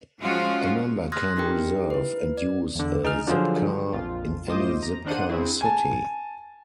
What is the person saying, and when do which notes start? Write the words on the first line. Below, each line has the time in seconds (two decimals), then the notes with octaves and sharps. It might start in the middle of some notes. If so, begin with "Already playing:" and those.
A member can reserve and use a Zipcar in any Zipcar city.
0.20 F3 G#3 C#4 F4 F#4
1.12 C6 D#6 F6 F#6 G#6 A#6
1.36 D4 D#4 G4 A#4 G5
1.90 E4 B4
2.37 D5
2.75 E2 D3
3.04 D#4 G#4 F6
3.27 D3 F3 F#3 F4 G#4 C5
3.93 A#1 F2 A#2 F4
4.48 A2 F4 C5 D#5 D6 D#6
4.83 A#5
5.05 D#3 A#3 D4 C5 F#5 D#7
5.29 C4 E4 G#4
5.61 G#5 A5